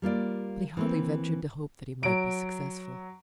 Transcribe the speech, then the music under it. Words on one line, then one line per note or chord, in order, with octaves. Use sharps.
But he hardly ventured to hope that he might be successful.
G3 A#3 F4 D5
E3 A#3 C4
F#3 D7